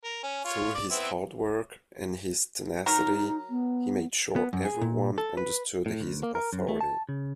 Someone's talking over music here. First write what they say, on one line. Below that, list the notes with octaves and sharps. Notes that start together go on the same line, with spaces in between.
Through his hard work, and his tenacity, he made sure everyone understood his authority.
A#4
C#4
F4 C#5
D5
B3 C4 E4
F#3 D#4 A#4
B3
B3
F#2
G#4
A#2
A4
B4
A2
D2
A#3
A#4
F#2
A3
A5
C#3